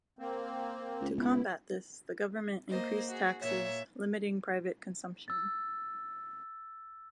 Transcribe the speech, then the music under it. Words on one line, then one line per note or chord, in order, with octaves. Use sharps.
To combat this, the government increased taxes, limiting private consumption.
A#3 C4
C#2
B3 E4
A#3 C5 D#5
F#4 G#4
A#2 A#3 C#5 E5
E6 A6